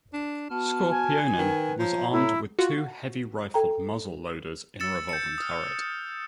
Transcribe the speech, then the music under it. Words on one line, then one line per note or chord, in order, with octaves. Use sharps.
"Skorpionen" was armed with two heavy rifled muzzle-loaders in a revolving turret.
D4
B3 F#4 A5 F6
G#5
D#3 B4
F3 C#5 A#5
A2 E4
F4 F#4
A4 G5 A#5
E6 A6 C#7 E7
G6 C#7
D#6 F6